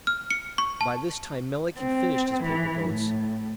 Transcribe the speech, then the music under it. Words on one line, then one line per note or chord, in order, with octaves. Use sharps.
By this time Melick had finished his paper boats.
F6
C#7
C#6
A5
C4
E3
A2